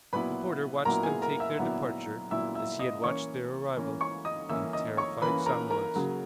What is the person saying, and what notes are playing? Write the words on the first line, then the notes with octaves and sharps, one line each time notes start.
The porter watched them take their departure as he had watched their arrival, in terrified somnolence.
A#2 F#3 B3 E4 B4 B5
A#2 F#3 B3 E4 A#4 A#5
G#4 G#5
A#4 A#5
E5 E6
A#2 F#3 B3 E4
A#2 F#3 B3 E4 E5 E6
E5 E6
D#5 D#6
E3 A#3 C#4 C#5 C#6
E3 A#3 C#4
C#5 C#6
D#5 D#6
E3 A#3 C#4 E5 E6
D#5 D#6
C#5 C#6
E3 A#3 C#4 B4 B5
A#4 A#5
A#4 A#5
C#3 F#3 A#3